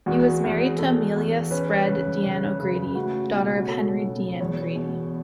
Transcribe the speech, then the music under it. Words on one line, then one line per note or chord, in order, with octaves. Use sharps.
He was married to Amelia Spread Deane O'Grady, daughter of Henry Deane Grady.
E2 F#4
E2
E2 A4
E2
C#4 B4
C#3
C#3 C#5
C#3
A3 F#4
B2
F#4
C#4 A4
B2
E2 C#5
B2